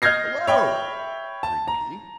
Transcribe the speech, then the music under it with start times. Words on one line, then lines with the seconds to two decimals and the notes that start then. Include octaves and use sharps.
"Hello!" greeted he.
0.02 D#5 F6 G6 G#6 A#6 C7
0.47 C#5 E5 G5 B5
1.43 A5
1.68 A#5